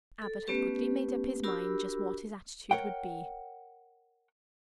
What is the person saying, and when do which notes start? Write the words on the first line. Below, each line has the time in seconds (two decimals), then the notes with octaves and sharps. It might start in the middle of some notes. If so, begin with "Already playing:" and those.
Mr. Abbott had quickly made up his mind just what his attitude would be.
0.22 A4
0.47 A3 B3 C#4 G4 B4
1.43 D4 F#4 G4 A#4 B5 E6
2.71 A#4 C#5 F#5 G5